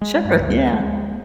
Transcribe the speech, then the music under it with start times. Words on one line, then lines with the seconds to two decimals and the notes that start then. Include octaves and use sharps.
Sure, yeah.
0.01 G#3
0.25 G2
0.40 D2
0.72 G#3